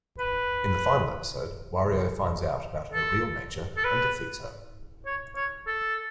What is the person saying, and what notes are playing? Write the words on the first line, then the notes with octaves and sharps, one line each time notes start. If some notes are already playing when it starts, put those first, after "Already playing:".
In the final episode, Wario finds out about her real nature and defeats her.
B4
A4
A4
B4
C#5
C#5
A4